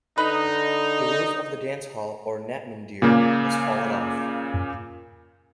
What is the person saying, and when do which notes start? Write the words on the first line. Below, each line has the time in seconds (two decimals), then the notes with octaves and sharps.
The roof of the dance hall or "natmandir" has fallen off.
0.18 D3 D#4 B4
3.02 A#2 C#3 A#3